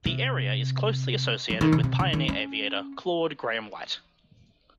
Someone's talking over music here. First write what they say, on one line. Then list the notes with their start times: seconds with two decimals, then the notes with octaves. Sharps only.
The area is closely associated with pioneer aviator Claude Grahame-White.
0.06 C3
1.50 F3
1.61 D#3
1.72 C#3
1.83 C3
1.99 C#3
2.13 D#3
2.28 C#4